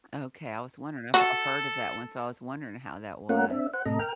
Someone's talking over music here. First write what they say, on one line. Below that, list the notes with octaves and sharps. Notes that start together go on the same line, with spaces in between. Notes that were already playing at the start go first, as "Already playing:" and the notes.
Okay, I was wondering if I've heard of that one, so I was wondering how that was.
F#4 A4
A3 A#3 C#4 F4 A#4 F#5
C4 D4 E5
C5 F#5
A2 C3 A4 D#5 A#5
A#4 G5 F6